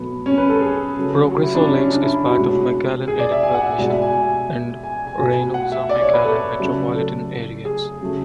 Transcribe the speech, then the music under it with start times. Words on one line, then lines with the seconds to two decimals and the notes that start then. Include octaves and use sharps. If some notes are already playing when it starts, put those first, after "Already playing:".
Progreso Lakes is part of the McAllen-Edinburg-Mission and Reynosa-McAllen metropolitan areas.
Already playing: B2 F#3 A3 B3
0.26 C#4
0.38 B4
0.49 A4
0.61 G#4
0.97 C#3 F#3 A3
1.31 F#4
1.43 E4
1.55 D4
1.67 C#4
1.78 C#4
1.91 D4
2.02 E4
2.14 E4
2.25 F#4
2.38 B2 G#3
3.08 G#4
3.19 D5
3.32 E5
3.43 G#5
3.54 F#5
3.66 E5
3.78 B2 G#3 D5
3.90 E5
4.02 G#5
4.13 G#5
4.83 G#5
5.07 G#5
5.19 B2 A3
5.54 F#5
5.72 E5
5.89 D5
6.01 C#5
6.13 B4
6.25 A4
6.60 C#3 F#3 A3
6.95 A4
7.65 G#4
8.01 C#3 F#3 A3